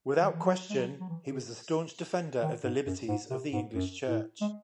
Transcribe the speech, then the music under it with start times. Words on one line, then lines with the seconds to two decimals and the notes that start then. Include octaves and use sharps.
Without question he was a staunch defender of the liberties of the English church.
0.20 D#3
0.31 E3
0.43 F#3
0.70 G#3
0.76 F#3
0.99 F#3
1.09 E3
1.31 C#3
2.42 D#3
2.64 G#2
2.86 F#2
3.08 G#2
3.30 C3
3.52 G#2
3.74 F#2
4.07 A2
4.41 G#3